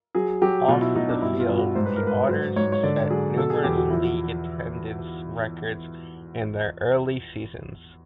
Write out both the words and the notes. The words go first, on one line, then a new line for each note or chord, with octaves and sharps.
Off the field, the Otters set numerous league attendance records in their early seasons.
F#3 G#4
F#3 G4
B2 F4
E4
B2 D#4
D4
G2 E4
F4
G2
F#4
G#2 C5
B4
A#4
G#2 B4
F#3 C5
G#2 C#5
C#5
D3 D5
F#3 G#4
B2 A4
G#4
E2 G4
F#4
F3 E4
F#4